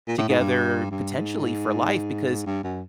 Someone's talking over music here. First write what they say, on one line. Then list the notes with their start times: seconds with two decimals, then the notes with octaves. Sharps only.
together potentially for life because
0.08 A#2
0.18 A2
0.29 G#2
0.40 G2
0.91 G2
1.17 G#2
2.46 G2
2.63 F#2